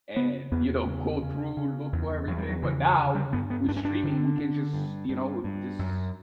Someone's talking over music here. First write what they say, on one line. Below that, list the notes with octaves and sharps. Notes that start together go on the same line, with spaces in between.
and, you know, go through, look for everything, but now, with streaming, we can just, you know, w just
C#3 B3
E2 B3
C#3
C#3
C#3
E2
E2 F#3
G3
F#3
C#3 E3
D3
G3
G2 B3
B3
G2 D4
C#4
D4
D3
D3
G2
G2
G2
F#2